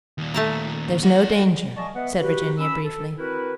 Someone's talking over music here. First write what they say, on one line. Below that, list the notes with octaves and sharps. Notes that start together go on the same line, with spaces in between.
"There's no danger," said Virginia briefly.
D#2 A#2
A3 A5 A#5
G4 F#5
D5 D#5 F5 G#5 A5 C#6
B3 B4 D#5 E5 F#5
F#4 G4 B4
C#4 B5 E6
A4
C4 E4 F#4 A#4 B4